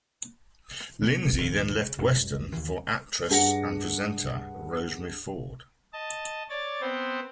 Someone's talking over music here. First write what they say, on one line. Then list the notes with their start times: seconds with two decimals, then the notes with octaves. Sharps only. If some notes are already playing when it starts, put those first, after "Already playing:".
Lindsay then left Weston for actress and presenter Rosemarie Ford.
1.02 C#3 B3
1.38 A#1 D#2
1.80 C#3
1.98 F#1 C#2 G2 C#4
2.53 D#2 C#3 E3
3.29 G2 D4 G#4 F#5 A#6 C#7
5.93 D#5 A5
6.49 C#5 D5 A6
6.81 B3 C4 C5